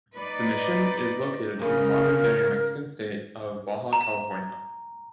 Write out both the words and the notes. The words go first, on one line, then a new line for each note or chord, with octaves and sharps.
The mission is located in the modern-day Mexican state of Baja California.
D#4 B4 D5
C#3 A#4
A#5